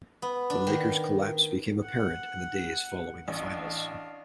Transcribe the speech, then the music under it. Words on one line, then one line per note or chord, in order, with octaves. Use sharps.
The Lakers' collapse became apparent in the days following the Finals.
B3
D4
D#3
F#5
A1 D4 F5